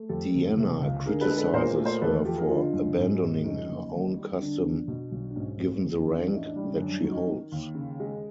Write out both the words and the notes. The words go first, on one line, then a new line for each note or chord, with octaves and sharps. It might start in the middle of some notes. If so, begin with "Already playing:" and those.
Deanna criticizes her for abandoning her own custom given the rank that she holds.
Already playing: A3
F2 G4 A4
F#1
C3
C#2
D3 G#4 A#4
A4 B4
G#3
A4 B4
A#2 A#4 C5
A3
A#4 C5
E2 A4 B4
F3 G4 A4
G#4 A#4
D3 D#4 F4
F#2
G#2
G#3
F2 C#4 D#4
F#1
D#2
G3
D3 D4
F2
B2
B1
D4
G#2 C#4
A3
C#4
F2
C#4 D#4
E3
D4 E4
A2 C#4 D#4
D4
G3
C#4
F#2 D4
F#3
C#4 D#4
D#3
D#2
C#3
G#3